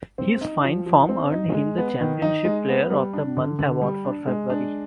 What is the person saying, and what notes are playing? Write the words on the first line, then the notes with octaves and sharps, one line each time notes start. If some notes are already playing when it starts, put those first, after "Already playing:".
His fine form earned him the Championship Player of the Month award for February.
C4
D#4
F3
F3
C4
D#4
G#3
B3
D#3
D#4
G#3
B3
G3
D4
D3
D3
G3
D4
G#3
D4